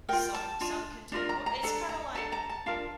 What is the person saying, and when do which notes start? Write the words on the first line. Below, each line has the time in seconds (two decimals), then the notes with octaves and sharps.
some some can ta well, it's kinda like,
0.09 F4 A#4 G5
0.34 A5
0.61 D4 F4
1.12 D4 F4 A#4
1.29 A#5
1.46 A#5
1.63 D4 A4 A5
1.89 A#5
2.15 D4 A4 A5
2.32 A#5
2.49 A5
2.66 D4 F4 A#4 F5